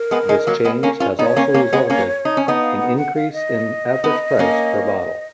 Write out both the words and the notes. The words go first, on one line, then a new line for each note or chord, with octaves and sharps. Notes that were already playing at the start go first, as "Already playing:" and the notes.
This change has also resulted in increase in average price per bottle.
Already playing: A#4
G#3 B3
G#3
F#3 A#3
G#3 B3
A#3 C#4
C#4 F4
B3 D#4 C#5
A#3 C#4
A#3 C#4
G#3 B3
A#3 C#4
D#4
C#4
B3 D#4
F5
F#5
F#5
F5
D#5
B3 D#4
A#3 C#4